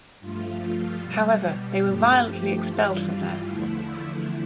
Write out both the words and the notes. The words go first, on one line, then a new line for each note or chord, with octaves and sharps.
However, they were violently expelled from there.
G2 F3 A3 F4
B2 G3
G2 F3 A3 G4
G2 E3 G3 F4
E2 D3 F3 A3 E4